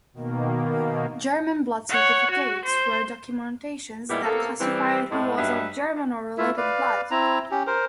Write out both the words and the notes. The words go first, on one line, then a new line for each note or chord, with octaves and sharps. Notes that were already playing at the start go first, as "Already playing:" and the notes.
German Blood Certificates were documentations that classified who was of "German or related blood".
B2 D#3 A#3
C#5 F#5
F#4
C5
A#2 G3 G#3 B3 E4 G4
C3 A#3 B3 A4
E3 G3 C4
A2 G#3
G2 F#3 D#4 B4 E5
A3 E4 F4 E5
B4 D5 F5
C4 E4 A#5
C#4 G4
A#4 C5